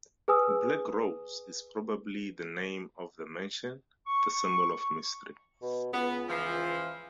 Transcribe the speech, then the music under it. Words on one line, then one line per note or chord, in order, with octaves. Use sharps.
"Black Rose" is probably the name of the mansion, the symbol of mystery.
G#4 B4 G#5 D#6 E6
C#6
B2
C#2 B3
E3 F3